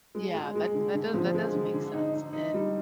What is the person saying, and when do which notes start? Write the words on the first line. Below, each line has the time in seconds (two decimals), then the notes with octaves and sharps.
Yeah, that that does that does make sense. And,
0.15 G#3
0.35 G#3
0.55 G#3
0.75 D3
0.95 D3
1.14 F3
1.34 G#3
1.55 D3
1.74 D3
1.93 D#4
2.14 D#4
2.33 D#4
2.54 G3